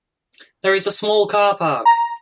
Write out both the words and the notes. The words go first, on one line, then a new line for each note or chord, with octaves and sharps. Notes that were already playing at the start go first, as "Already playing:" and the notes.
There is a small car park.
A#5